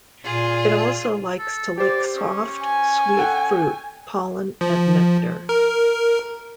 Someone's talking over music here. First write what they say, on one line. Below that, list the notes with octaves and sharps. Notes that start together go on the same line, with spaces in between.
It also likes to lick soft, sweet fruit, pollen and nectar.
A#2 F4 G#4
A4
G4 C5 D5
C#4
G#5
A4 F#5 G5
F3
A#4